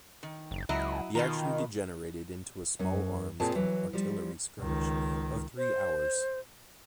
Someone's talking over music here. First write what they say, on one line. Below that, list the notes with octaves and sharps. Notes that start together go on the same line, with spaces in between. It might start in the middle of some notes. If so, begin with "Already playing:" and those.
The action degenerated into a small-arms and artillery skirmish of three hours.
D#3
F#1
C#2 F#3 E4 D#5
B2 D#3 F4 A#5
F#2 C#4
A#2 C4 F4 G#4 G#5 A5
E3 F#3
F3 G3
C#2 D#3
C5